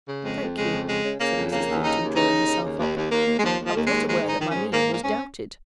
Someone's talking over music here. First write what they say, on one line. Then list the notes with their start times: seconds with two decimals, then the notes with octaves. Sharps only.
'Thank you,' said Mrs. Thornton, drawing herself up; 'I was not aware that my meaning was doubted.
0.09 C#3
0.24 F2 G#3
0.41 F2
0.57 C#3 G#3
0.73 F2
0.88 C#3 G#3
1.05 C#3
1.20 C#3 A#3
1.36 F2
1.52 C#3 A#3
1.69 D#2
1.84 C#3 D#4
2.00 D#2
2.15 C#3 D#4
2.32 D#2
2.48 C#3
2.64 D#2
2.79 D#2
2.96 D#2
3.12 D#2 A#3
3.27 D#2
3.40 G#3
3.44 D#2 F3
3.60 D#2 F3
3.76 D#2
3.86 D#2 G#3
4.08 D#3 G#3
4.23 G#2
4.29 D#4
4.40 D#3
4.50 C#4
4.55 G#2
4.72 G#2 A#3
4.88 G#2
4.93 A#3
5.04 G#2 C#4